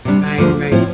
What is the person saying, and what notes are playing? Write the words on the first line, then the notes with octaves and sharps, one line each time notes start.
Right, right.
C3 G3 D4
D2 D3 F3 A3
A2 F3 C4 E4